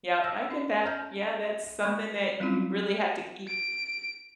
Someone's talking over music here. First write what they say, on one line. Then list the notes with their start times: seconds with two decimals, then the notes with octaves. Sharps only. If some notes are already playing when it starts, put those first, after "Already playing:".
yep, I get that. Yeah, that's something that you really have to keep
0.24 E6 A#6
0.50 C#4
0.83 A5 A#5 F6 G6
1.83 G#3 B5 C#6 F#6 G#6
2.40 F#3 G3 C4 C#4 E4 F4
3.47 D7